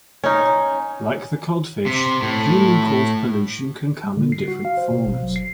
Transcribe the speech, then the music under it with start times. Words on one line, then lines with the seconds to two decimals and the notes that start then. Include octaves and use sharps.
Like the codfish, human-caused pollution can come in different forms.
0.24 C#4 D#4
1.86 C3
2.22 A2
4.04 G3
4.17 D3
4.32 C7
4.48 F#4
4.65 F5
4.77 C5
4.91 B2
5.06 G1
5.23 F#3
5.36 C7